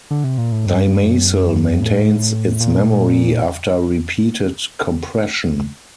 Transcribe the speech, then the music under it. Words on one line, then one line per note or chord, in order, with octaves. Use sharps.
Dymacel maintains its memory after repeated compression.
D3
C3
A#2
A2
G2
F#2
A2
A#2